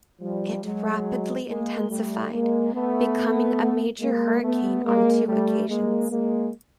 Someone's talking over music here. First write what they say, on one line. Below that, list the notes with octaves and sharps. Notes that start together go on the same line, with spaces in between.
It rapidly intensified, becoming a major hurricane on two occasions.
F3 G3
F#3 G#3
G#3 A#3
G3 A3
G#3 A#3
A3 B3
G#3 A#3
A3 B3
G#3 A#3
G3 A3
G#3 A#3
G#3 A#3